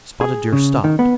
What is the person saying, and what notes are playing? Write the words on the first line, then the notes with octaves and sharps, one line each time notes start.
Spotted Deer stopped.
G#4
C#3
D#3
B3